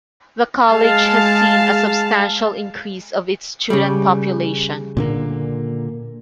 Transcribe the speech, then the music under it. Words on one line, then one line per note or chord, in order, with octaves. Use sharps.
The college has seen a substantial increase of its student population.
G#3 F5 A5
C#3 G3
A#2 D3 A#3